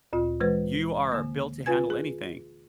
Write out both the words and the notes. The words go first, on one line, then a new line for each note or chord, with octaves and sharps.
You are built to handle anything.
D2 A#2 F4
E3 G#3 B4 C5
D3 A#3
F4 B4 G#5 G#6
G#4